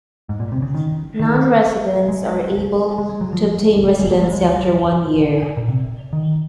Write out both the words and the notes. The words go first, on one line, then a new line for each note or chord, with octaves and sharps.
Non-residents are able to obtain residency after one year.
G#2
A#2
C3
C#3
D#3
D#3
G#3
G#3
G#3
F#3
F3
G#3
G#3
A#3
G#3
G#3
F#3
F#3
A#2
C3
D#3